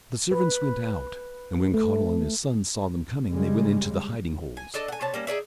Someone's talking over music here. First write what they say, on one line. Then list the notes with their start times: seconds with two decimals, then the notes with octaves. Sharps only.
The servants went out, and when Conall and his sons saw them coming they went into the hiding holes.
0.31 B4
1.74 A3
3.31 C#3 G3 G#3
4.57 G#5
4.74 D4 A4 D5 D#5
4.88 F#5 G#5
5.01 C3 D4 C#5 A5
5.14 G3 A#3 C#4
5.27 D#4 G#4 D5 E5